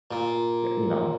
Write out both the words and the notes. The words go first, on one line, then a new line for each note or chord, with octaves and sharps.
eh, you know?
A#2